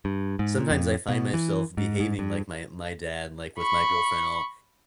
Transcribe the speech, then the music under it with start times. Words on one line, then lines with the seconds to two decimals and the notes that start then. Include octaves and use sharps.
sometimes I find myself behaving like my my dad, like, with my girlfriend, I'll
0.05 G2
0.39 G#2
0.59 A#2
0.71 F2
1.09 B2
1.34 E3
1.77 G#2
2.00 G#2
2.19 G2
3.60 B5 C#6